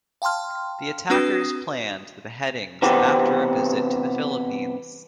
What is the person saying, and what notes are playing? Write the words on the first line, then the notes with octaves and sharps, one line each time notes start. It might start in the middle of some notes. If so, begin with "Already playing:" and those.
The attackers planned the beheadings after a visit to the Philippines.
F5 G5 A5 C6 F6
C4 D4 F#4 B4 D#6
C3 E3 B3 C4 G4